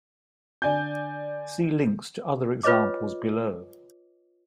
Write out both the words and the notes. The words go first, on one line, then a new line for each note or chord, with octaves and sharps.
See links to other examples below.
D3 D5 G#5 G6
F4 B4 C#5 D#5 D6